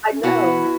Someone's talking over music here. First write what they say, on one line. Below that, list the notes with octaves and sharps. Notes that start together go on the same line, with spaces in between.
I know.
C#4
B2 B3 E4 F#4